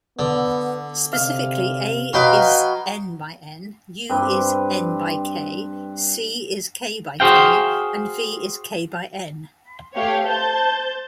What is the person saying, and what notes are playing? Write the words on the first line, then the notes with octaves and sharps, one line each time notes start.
Specifically, "A" is "n"-by-"n", "U" is "n"-by-"k", "C" is "k"-by-"k" and "V" is "k"-by-"n".
D3 B3
C3 F5
F#3 B4 D#5 F5 G5 C6
G2 C4 B4
F#4 G#4 C5 F5 G5
A3 G4 C#5 F5
C5 A5 G6